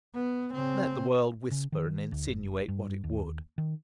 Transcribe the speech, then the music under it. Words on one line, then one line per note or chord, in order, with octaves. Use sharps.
Let the world whisper and insinuate what it would.
B3
C#3 C4
C#3
D#3
D2
F#1
G2
D#2
D#3